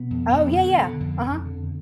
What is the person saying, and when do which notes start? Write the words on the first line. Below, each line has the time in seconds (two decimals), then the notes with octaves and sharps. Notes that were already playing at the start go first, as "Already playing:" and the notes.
Oh, yeah, yeah. Uh-huh.
Already playing: B2 B3
0.10 F2
0.33 F2
0.56 D3
0.78 D3
1.00 F2
1.24 F2
1.45 D3